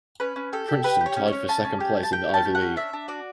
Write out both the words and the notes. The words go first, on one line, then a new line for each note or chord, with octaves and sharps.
Princeton tied for second place in the Ivy League.
C#4 B4
C#4
G4 A4
G4
G4 B4
G4
C#5
C#4
C#4 C#5
C#4 A5
C#4
G4
G4
A5
G4 G5
C#4 A5
G4
F#5
C#4
D4 E5
D4
F#4 D5